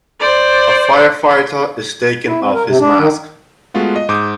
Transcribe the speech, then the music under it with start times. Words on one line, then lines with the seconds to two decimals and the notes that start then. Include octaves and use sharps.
A firefighter is taking off his mask.
0.20 C5 D5
2.25 E4
2.40 C4
2.54 A#4
2.66 C3
2.80 D4
2.98 D#3
3.74 G#3 A3 B3 F4 F#4
3.96 D#5
4.09 G#2 D6 D#6 G6